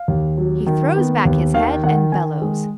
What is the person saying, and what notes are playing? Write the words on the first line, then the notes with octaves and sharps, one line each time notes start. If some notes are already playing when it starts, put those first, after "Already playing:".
He throws back his head and bellows.
Already playing: F5
D#2
F#3
D#3
B3
D#2
D#3 F5
D#3 F#5
D#3 G#5
G#3